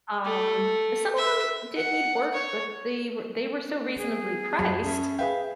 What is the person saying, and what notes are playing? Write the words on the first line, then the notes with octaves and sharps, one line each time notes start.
Um, some of 'em did need work, but they were they were so reasonably priced
A3
E5
F#5
C#5
B3 G#4
F#2 F#3 C5 A5 B5
C#4 A4 E5
G#4 B4 E5 F5 G5